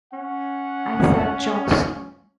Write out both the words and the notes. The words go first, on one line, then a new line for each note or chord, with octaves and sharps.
Isaac Johnson.
C#4 F#5